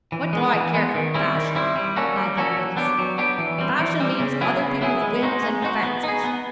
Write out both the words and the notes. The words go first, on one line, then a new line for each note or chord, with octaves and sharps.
What do I care for fashion?' cried the Wykehamist. 'Fashion means other people's whims and fancies.
E3
G#3 B3
E3
G#3 B3
D#3
G3 C4 E4
D#3
G3 C4 E4
G3
A#3 C#4 F#4 A4
G3
A#3 C#4 F#4 A4
F#3
B3 D4 G4
F#3
B3 D4 G4
E3
G3 C4
E3
G3 C4
C#3
F#3 B3 E4 G#4
C#3
F#3 B3 E4 G#4
G#3
C4 D#4 F#4
G#3
C4 D#4 F#4
B3
D#4 G#4
B3